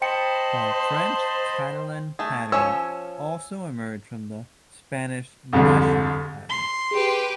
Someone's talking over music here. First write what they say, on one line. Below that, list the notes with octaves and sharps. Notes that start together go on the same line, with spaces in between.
The French Catalan pattern also emerged from the Spanish National pattern.
C5 D#5 G5 A5 B5 C#7
A3 G#4
F3 C#4 C#5 G#5 E6
C2 F2 G#2 D3
C6 G7
G4 G#4 B4